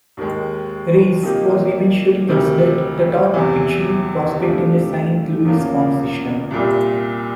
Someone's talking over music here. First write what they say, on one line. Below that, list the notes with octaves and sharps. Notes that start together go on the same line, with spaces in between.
Reyes was eventually considered the top pitching prospect in the Saint Louis farm system.
D#2 D#3 G#3
C3 F3 A#3 D#4 G4
D2 C3 D#3
E2 C3 E3
C3 F3 A3 D4
E2 C#3 F3 A#3
C2 A#2 G3